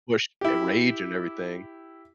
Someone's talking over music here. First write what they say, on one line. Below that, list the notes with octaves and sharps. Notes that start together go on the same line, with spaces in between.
push, uh, rage and everything.
E4 G4